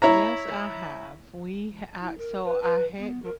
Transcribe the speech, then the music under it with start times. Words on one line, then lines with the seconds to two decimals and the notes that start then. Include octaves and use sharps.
Yes, I have. We uh, so I had g
0.02 E4 C#5 A#5
2.01 E4
2.18 A#4
2.44 B4
2.62 B4
2.98 B3
3.24 A#4